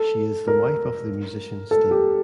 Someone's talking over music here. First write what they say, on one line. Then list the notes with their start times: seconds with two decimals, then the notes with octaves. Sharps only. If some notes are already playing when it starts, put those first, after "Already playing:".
She is the wife of the musician Sting.
Already playing: A4
0.48 A#4
1.71 A4
1.91 G4